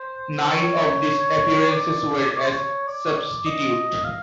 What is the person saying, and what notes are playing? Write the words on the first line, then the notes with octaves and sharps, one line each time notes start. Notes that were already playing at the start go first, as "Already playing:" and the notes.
Nine of these appearances were as substitute.
Already playing: C5
C#5
C#5
D5
D5
C#5
C5
C#5
D5
C#5
D5
D#5
F5